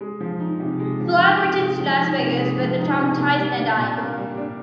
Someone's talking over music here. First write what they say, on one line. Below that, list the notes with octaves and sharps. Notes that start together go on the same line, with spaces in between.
Flagg returns to Las Vegas with a traumatized Nadine.
G#3
F3
D#4
C3
G#3
F3
D#4
C3
G#3
F3
D#4
C3
G#3
F3
D#4
C3
A#3
G3
D4
A#2
A#3
G3
D4